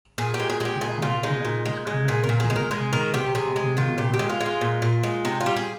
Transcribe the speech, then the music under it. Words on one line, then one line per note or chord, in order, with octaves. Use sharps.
The quartet is committed to the commissioning of new works.
A#2 G#4
G4
G#3
G#4
G#3 G#4
G4
A#2 G#4
A#2 F4
G#3 D#4
A#2
G#3
G#3
A#2 G#4
A#4
A#2
G#4
G#3
A#4
G#3 G#4
D#3 A#4
C3 G4
C3 G#4
G#3 G#4
D#3 F4
A#2 G4
G4
G#3
F4
G#3
F4
A#2
A#2
G#3
C3 D#4
F4
G3
G#4